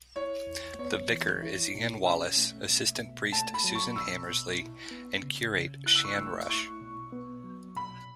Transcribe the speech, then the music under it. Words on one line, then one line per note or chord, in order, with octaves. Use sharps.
The vicar is Ian Wallis, assistant priest Susan Hammersley and curate Shan Rush.
E4 C#5
E2
B3 C#5
E3
E4
B2
C#4 E5
A3
B2
B2
A3 A5
B5
F#3
C#6
B2 E6
B2
E4
B3
C#3
C#3
E4 F#6
E6
C#6
A3 E6
E4 C#6
B2
B3
F#3
B2 B5